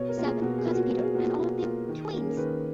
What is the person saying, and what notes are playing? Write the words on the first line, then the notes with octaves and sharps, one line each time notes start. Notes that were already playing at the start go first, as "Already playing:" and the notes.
Seven, Cousin Peter, and all of them twins!
Already playing: B2 C#5
A#4
A#3 F4
G#4
B2 F#4
G#4
A#3 F4
F#4
B2 F#4
G#4
A#3 F4 F#4
G#4
B2 G#4
A#3 F4
D#3
A#3 C#4
G#4
A#4
D#3 B4